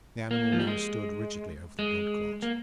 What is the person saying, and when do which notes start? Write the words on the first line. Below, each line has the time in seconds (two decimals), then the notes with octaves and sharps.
The animal now stood rigidly over the blood clot.
0.31 A#3
0.52 F3
0.60 G3
0.67 G#3
1.79 G#3
2.42 A#3